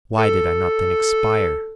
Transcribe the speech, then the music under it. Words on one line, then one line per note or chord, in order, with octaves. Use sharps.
Why did I not then expire!
A4